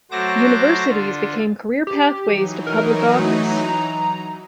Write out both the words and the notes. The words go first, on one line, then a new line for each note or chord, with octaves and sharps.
Universities became career pathways to public office.
F#3 A3 F#4 C5 D6 A#6
D3 F4
G4
E3 F#3 D#4
A#4
A3
A#5